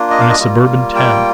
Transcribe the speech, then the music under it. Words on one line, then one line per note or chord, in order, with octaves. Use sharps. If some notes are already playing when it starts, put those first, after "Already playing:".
In a suburban town?
Already playing: A#3 D4 F4
D#5
F5
D#5
G3 A#3 F4
G5